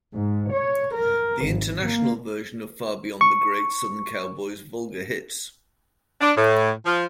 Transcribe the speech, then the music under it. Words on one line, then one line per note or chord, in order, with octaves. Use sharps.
The International version of Far Beyond the Great Southern Cowboys' Vulgar Hits!
G#2
C#5
A#4
G#1
A#3
C#6
D4
A2
F3